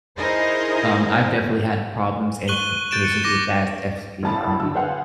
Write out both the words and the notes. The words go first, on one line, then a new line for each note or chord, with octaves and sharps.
um, I've definitely had problems and complications with that, it's definitely, um,
D#4 E4 G#4 A#4 C5 D#5
C#6 F#6 D#7 F#7 G7
G6 A6 D7 E7
C#7
D6 A#6 E7
A#1 A2 C3 A5 B5 A6
D3 F#4 E6
G#4 B4 C5 F5 F#5 G#5